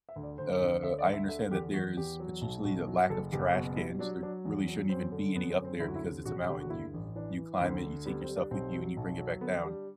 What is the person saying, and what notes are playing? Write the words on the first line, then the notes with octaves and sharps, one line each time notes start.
Uh, I understand that there's potentially a lack of trash cans, there really shouldn't even be any up there because it's a mountain, you you climb it, you take yourself with you, and you bring it back down,
E5
D2
D5
D2 C5
D2
D3 E5
D5
D2
E5
D3 E5
E2 G4
E2 F#4
E2 G4
F#3
B1
B1 F#4
F#3
F#1 A4
F#1 G4
B2 F#4
G3 E4
F#3 D4
F#3 D4
E2
F#3
F#2 C4
D3
F#2 B3
C4
F#2
C4
D2 E4
F#4
E4
C3
E1 F#4
D2 G4
F#4
G2 E4
A1
E3 D4
E3
D2 C4
D3
G3 B3
C4
G3
D4
B1 C4
F#3
B1
F#3
D3 B3
G3 D4